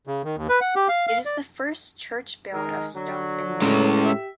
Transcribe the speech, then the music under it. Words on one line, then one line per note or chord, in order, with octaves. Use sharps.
It is the first church build of stones in Moscow.
C#3
D#3
D#2
B4
F#5
G4
F5
F5
D5
D#3 G#3 A#4
D3 F#3
A2 G#3 C#4
G4 E5